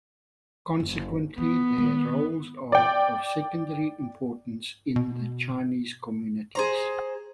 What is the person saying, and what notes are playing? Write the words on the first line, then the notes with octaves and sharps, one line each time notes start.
Consequently, their roles are of secondary importance in the Chinese communities.
F#1
E3 B3
D#3 G#3
D5 G5
B2
G#4 C5 A#5